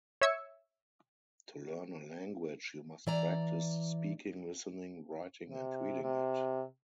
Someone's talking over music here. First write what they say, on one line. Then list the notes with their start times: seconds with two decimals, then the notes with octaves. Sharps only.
To learn a language, you must practice speaking, listening, writing, and reading it.
0.21 C#5 E5 E6 G#6 C#7
3.07 E3 D5 A#5
5.50 C3
6.03 C3